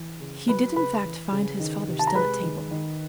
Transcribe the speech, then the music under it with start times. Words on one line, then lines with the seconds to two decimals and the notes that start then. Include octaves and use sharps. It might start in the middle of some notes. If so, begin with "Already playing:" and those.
He did in fact find his father still at table.
Already playing: E3
0.20 C#3
0.48 F#3 B4 B5
0.76 C#3 B4 B5
1.04 E3
1.32 C#3
1.60 D#3
1.88 C3
1.99 A5
2.07 A#5
2.15 G#3 B4 B5
2.43 D#3
2.71 D#3